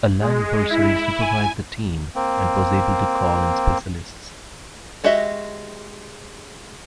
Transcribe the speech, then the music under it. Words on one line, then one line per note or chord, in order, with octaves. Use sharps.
Alan Borsari supervised the team and was able to call in specialists.
G#3
E4
G#5
A#3 C4
G#3 F#4 G4 D#5 E5